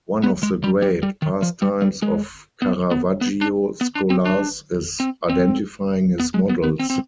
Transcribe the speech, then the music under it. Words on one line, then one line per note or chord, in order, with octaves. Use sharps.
One of the great pastimes of Caravaggio scholars is identifying his models.
B3
G#3
G3
G3
G3
D#3
F3
G3
G3
G#3
B3
B3
B3
D4
B3
D4
C4
D4
C4
C4
B3
G#3
B3
B3
C4
C4